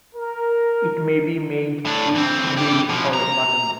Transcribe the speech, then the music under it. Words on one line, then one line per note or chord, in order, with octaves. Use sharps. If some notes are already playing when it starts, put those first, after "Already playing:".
It may be made with veal or mutton.
A#4
A2 D4
E3 C4
E3 G4
B2 F3
A#5